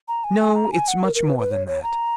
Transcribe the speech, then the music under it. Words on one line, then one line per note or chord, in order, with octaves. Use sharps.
No, it's much more than that.
A#5
G#5
G#5
A#5
G#5
F#5
A#4
A#4
B4
B4
C#5
C#5
A#5